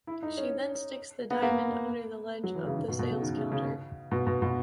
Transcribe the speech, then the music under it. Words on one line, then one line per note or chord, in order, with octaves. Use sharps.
She then sticks the diamond under the ledge of the sales counter.
E4
D#4
C#4
B3
A#3
F#3
E3
C#3
D#3
B2
B2
C#3
D#3
C#3
C#3
B2
B2
B2